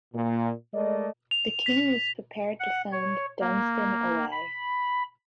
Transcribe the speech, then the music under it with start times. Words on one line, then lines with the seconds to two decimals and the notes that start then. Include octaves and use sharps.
The king was prepared to send Dunstan away.
0.14 A#2
0.73 G#3 A3 A#4 D5 D#5
1.31 F7
1.66 B6
2.60 F#5
2.92 C#5
3.40 A#3
4.32 B5